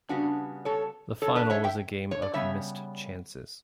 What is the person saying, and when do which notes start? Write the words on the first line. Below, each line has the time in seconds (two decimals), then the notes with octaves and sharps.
The final was a game of missed chances.
0.09 C#3 G3 B3 D4 F#4
0.65 A4 C#5
1.22 A4 C#5
1.36 B4 D5
1.50 C#5 E5
1.64 E5 G5
2.11 C#5
2.22 D5
2.33 C#3 G3 B3 C#5 E5